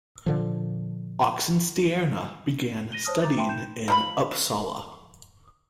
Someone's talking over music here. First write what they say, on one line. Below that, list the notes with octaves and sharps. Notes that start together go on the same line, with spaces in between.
Oxenstierna began studying in Uppsala.
A#2 D3 F3
A#6 D#7 G7
C5 C#5 A5 D#6 F6
A#5 D6 A6
F4 E5 G5 A5 B5 C6
D#4 G6 E7
F3 A#4 B5